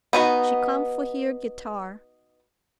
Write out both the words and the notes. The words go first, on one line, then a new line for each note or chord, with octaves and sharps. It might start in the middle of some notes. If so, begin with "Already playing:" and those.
She come for hear guitar.
B3 D#4 F#4